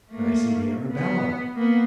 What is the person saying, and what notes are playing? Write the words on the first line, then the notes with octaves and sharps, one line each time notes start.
"But I see the Arabella."
A3 A#3
B3
A#3 B3